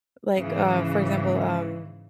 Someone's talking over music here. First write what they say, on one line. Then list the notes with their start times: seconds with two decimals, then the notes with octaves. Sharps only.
like, uh, for example, um
0.33 G#2 C#3 E3